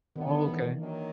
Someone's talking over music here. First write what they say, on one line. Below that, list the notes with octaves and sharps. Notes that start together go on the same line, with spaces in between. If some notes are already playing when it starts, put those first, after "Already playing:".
Oh, okay.
F#2 D3 D#3 G3 B3
E3
D#3 F#3 A#3 D4